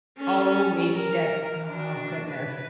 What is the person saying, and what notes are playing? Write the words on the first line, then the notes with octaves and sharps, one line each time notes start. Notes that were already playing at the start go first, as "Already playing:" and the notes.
Oh, maybe that's Oh, goodness.
C#4 A4
A#4
D4 F#4
B4